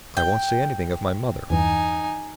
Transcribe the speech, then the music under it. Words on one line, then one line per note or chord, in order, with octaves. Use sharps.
I won't say anything of my mother!
G5
E2 G2 E3 D#4 G#5